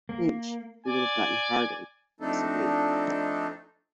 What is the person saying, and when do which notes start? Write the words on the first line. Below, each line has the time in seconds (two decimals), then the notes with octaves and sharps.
Lynch, who would have gotten "Harder", disagreed.
0.09 A#3
0.86 D5 G#5
2.20 F3 A3 C4 D4 D#4 A4